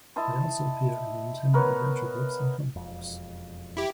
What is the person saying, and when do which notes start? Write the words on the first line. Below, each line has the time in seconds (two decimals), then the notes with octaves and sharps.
They also appear in the Nintendo Adventure Books and comic books.
0.16 E4 D#5 A5 C6
1.53 B3 A#4 B4 C#5
2.76 E1 F2
3.77 E4 G4